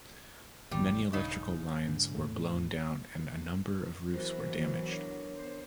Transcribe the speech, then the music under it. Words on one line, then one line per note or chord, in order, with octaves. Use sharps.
Many electrical lines were blown down and a number of roofs were damaged.
A1 E2 G3
D#1 C#3 D#4
G#2 D3
E2 A2 A3
E3 F#3 B3 F#4 A#4 C5
D4 A#4 C#5
B3 C5